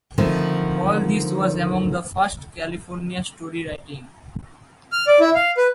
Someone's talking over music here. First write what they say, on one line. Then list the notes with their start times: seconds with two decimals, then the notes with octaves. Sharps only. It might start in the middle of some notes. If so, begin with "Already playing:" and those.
All this was among the first California story writing.
0.18 D3 D#3 F3 A3 C4
4.92 F6
5.07 D5
5.20 E4
5.35 F5
5.57 B4